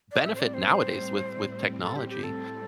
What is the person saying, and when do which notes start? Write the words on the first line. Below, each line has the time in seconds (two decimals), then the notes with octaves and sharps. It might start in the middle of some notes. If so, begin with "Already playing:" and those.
benefit, nowadays, with with technology,
0.12 A2 G3 C4 D5
0.26 E5
0.35 C5
0.40 D5
0.54 C5
1.81 A4
1.96 G4
2.09 G4
2.24 A4